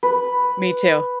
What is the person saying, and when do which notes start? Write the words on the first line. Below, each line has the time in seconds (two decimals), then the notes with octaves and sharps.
me too,
0.03 B4